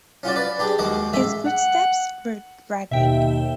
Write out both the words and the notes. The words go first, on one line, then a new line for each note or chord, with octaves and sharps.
His footsteps were dragging.
C#4 F4 F#4 D5
B4 D5
D4 G4 G#4
D#2 G#3 F#4 D#5 D6
A1 G#3 E5
F#5
D#2 B2 E5 G5